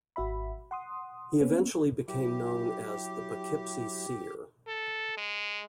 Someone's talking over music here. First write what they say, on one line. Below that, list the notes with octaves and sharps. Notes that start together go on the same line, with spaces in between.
He eventually became known as "the Poughkeepsie Seer".
G#1 F#4 E5 B5
F#5 C6 D#6
A#3 B3 C#4
F#3 E4 G4
A4
G#3